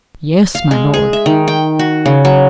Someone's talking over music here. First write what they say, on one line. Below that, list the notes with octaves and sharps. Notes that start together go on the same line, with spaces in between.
"Yes, my Lord!"
F5
G#3
G#4
E5
D#3
G5
F#4
C#3
F#3